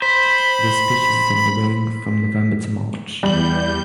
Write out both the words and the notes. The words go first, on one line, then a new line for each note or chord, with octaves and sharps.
This species is on the wing from November to March.
C5 B5 B6
E2 G3 G6 F#7